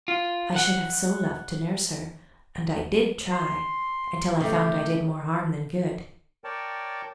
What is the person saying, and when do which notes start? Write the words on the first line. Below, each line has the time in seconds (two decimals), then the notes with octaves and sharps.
I should have so loved to nurse her; and I did try, until I found I did more harm than good.
0.08 F4
0.56 F#5
3.32 C6
4.41 C#3 A3 G4
6.44 A#4 C#5 D5 G5 A5